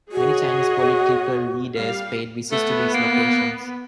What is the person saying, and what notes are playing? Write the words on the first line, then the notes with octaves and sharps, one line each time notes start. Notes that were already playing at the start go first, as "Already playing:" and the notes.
Many Chinese political leaders paid visits to these locations.
F#4 G#4 C#5 D#5
G3 F5
A3 B3
A#3